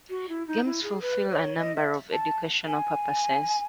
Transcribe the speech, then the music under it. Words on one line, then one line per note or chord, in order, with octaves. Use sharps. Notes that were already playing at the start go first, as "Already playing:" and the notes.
Games fulfill a number of educational purposes.
F#4
E4
D#4
E4
G#4
B4
C#5
D#5
E5
A5
G#5